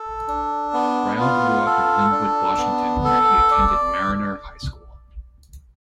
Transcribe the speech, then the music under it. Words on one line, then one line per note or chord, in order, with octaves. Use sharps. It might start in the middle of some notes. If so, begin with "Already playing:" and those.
Riall grew up in Lynnwood, Washington, where he attended Mariner High School.
Already playing: A4
D4
B3
F4
A4
D4
B3
A4
D5